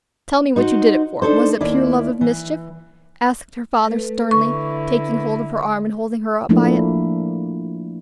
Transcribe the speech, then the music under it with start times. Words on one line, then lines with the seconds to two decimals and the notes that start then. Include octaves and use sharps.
"Tell me what you did it for; was it pure love of mischief?" asked her father, sternly, taking hold of her arm and holding her up by it.
0.56 D#4 F#4 C5
1.22 D4 D#4 A4 C5
1.61 D#2 E4 D5
2.21 E3
3.84 A3 A4 B4
4.31 D3 E4 C#6
6.49 F3 A3 A#3 D4 E4